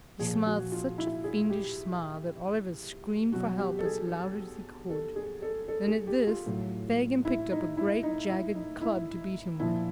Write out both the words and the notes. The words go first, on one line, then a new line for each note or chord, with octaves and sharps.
He smiled such a fiendish smile that Oliver screamed for help as loud as he could, and at this Fagin picked up a great jagged club to beat him with.
A#2 F3 G#4
F#4
F4
E4
G#4
G4
B2 F#3 F#4
G4
A4
G#4
A4
G#4
A4
A4
G#4
G4
F4
A2 F#3
E4
D#4
E4
D#4
E4
D#4
E4
A#2 F3 E4